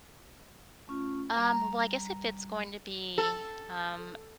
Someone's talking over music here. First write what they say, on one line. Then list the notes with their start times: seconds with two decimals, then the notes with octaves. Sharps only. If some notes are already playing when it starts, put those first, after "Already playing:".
Um, well, I guess if it's going to be, um,
0.88 A3 C#4 F4
1.36 G3 A#5
3.18 A4